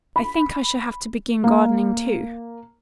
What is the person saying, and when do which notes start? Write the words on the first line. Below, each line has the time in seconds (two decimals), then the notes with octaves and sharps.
"I think I shall have to begin gardening, too."
0.16 B5
1.44 A#3